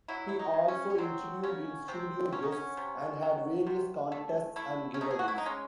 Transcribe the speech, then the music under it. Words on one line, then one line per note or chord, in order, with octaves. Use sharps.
He also interviewed in-studio guests and had various contests and giveaways.
F#3 E4
E4
D#4
C#3
C#4
C#4
F#3 C4
C#3 C#4
C3 C4
F#3 C#4
D#4
C#4
C3
F#3
C3
A3
A3 E4
C#4
A3 D#4
G#4
F#4
E4
D#4
G#3 C#4